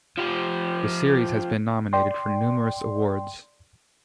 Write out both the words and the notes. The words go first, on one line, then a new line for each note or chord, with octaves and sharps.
The series has been nominated for numerous awards.
F3 G4
D5 G5 C6